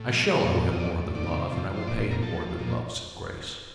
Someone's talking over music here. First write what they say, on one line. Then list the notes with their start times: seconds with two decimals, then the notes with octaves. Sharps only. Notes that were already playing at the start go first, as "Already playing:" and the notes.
"I shall owe him more than love, and I will pay him more than love," said Grace.
Already playing: A2
0.09 F3
0.27 F3
0.44 A#2
0.62 F3
0.72 D#5
0.80 A2 D5
0.97 A2
1.15 D#3 D5
1.33 C3
1.51 F3
1.70 F3
1.76 C5
1.87 A#2 D5
2.00 C5
2.05 A#2
2.11 A#4
2.22 F3 A4
2.41 F3
2.59 A#2